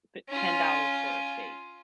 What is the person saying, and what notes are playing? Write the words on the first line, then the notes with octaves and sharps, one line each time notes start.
t ten dollars for a steak.
C#4 F4